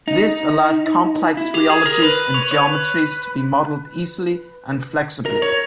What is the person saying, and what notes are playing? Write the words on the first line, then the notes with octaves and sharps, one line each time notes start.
This allowed complex rheologies and geometries to be modelled easily and flexibily.
D#4
E4
G4
G#4
A#4
B4
C#5
B4
C#5
B4
A#4
C#5